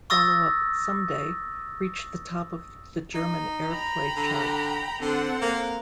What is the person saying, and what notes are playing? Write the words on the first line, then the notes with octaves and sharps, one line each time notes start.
Follow-up "Someday" reached the top of the German Airplay Chart.
C#6 D#6 E6 A6 A#6
D#4
G5 A#5 B5
D3
D3 C4 A4 F#5
A#3